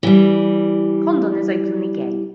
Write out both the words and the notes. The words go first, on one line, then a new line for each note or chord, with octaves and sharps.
Condon is openly gay.
E3 G3